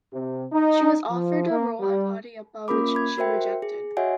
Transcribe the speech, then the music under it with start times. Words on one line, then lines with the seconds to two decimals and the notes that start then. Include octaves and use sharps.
She was offered a role in "Padayappa" which she rejected.
0.13 C3
0.51 D#4
1.09 F3
1.49 A#3
1.80 G3
2.68 A#3 C#4 F4 A#4 B5 D6
2.95 B5 G#6
3.17 F#4 A#4 C5 E5 G5
3.62 G#4
3.97 F#4 C#5 D#5 E5 F#5 G#5